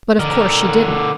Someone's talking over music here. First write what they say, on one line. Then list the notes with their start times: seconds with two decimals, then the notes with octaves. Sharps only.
But of course she didn't.
0.19 D3 A#4